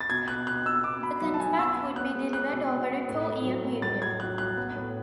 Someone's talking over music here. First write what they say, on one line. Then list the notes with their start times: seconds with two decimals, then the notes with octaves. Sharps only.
The contract would be delivered over a two-year period.
0.01 A6
0.10 B2 G#6
0.28 B3 F#6
0.47 B2 F#6
0.65 B3 E6
0.84 B2 D6
1.03 B2 B5
1.21 F#3
1.34 A5
1.40 F#3 G#5
1.59 B3 E6
1.77 B3
1.96 B3 F#6
2.15 G#3
2.33 B3 F#6
2.52 B2
2.71 B2
2.89 B3
3.09 A2
3.26 A2
3.45 F#3
3.64 A2
3.82 F#3 A6
4.01 F#3 G#6
4.20 F#3 F#6
4.38 F#3 F#6
4.57 B3
4.76 A2